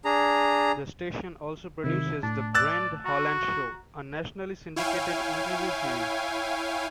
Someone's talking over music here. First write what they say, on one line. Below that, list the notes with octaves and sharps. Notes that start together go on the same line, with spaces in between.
The station also produces "The Brent Holland Show", a nationally syndicated interview series.
D4 G#4 A#5
C3 D#3 E4
A2 D4 A5
D5 E6 F#6 A6
F#4 A#5
E4 C#5 F5 G5 G#5